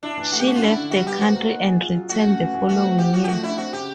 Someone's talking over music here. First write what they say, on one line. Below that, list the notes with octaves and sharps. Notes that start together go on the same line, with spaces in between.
She left the country and returned the following year.
D4 E4
E3
A3 F#4
G4
C#4 F#4
F4
D4 E4
D3
G3 F#4
B3 G4
F#4 C5
A#3
D#4
G#4
F4
F#3
A3 F#4
C#4
E3
E3
A3 F#4
C4
F4 G4
F3 F#4
G4
A3 F#4
D4 E4
C4 F#4
C#3 G4